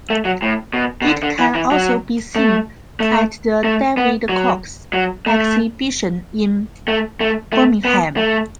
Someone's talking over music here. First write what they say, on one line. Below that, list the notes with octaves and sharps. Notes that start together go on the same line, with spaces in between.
It can also be seen at the David Cox exhibition in Birmingham.
A3
F#3
A2
B2
B2
D3
D3
E3
E3
F#3
A3
A3
A3
B3
F#3
F#3
A3
A3
A3
A3
B3
A3